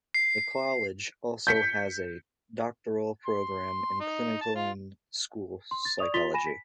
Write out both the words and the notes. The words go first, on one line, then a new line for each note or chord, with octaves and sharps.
The College also has a doctoral program in Clinical and School Psychology.
C7
G6 B6 C#7
C6
D#4
A5
F4
C6
A6
D5 C#6 D#6 F7
F4 C6 A6 B6 F7 G7
G#5 B5 A#6 D#7 E7
B6